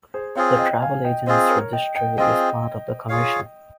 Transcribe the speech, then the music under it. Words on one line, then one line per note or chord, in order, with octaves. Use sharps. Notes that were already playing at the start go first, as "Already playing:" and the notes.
The Travel Agents Registry is part of the commission.
G#4 C5
C4 F4 G#4 C#5 F5
D#5 G5
F5 G#5
D#5 G5
C4 F4 G#4 C5 D#5
A#4 C#5
D#5 G5
D#5 G5
C4 F4 G#4 D#5 G5
F4 G#4 C#5 F5